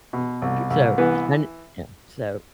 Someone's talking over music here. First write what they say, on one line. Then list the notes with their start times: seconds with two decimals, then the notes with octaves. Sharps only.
so and Yeah, so
0.13 B2
0.42 C2
0.70 C2
0.98 E3 B3